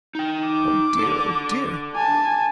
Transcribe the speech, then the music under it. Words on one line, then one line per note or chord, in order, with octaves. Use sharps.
Oh, dear, oh, dear!
D#4 G5
D6
D4 A4
G#5 A5